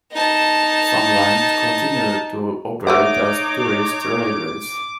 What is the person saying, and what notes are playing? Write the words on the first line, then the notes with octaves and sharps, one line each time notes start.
Some lines continue to operate as tourist railways.
D#4 A5
A3 D#4 C5 C#5 F#5 D6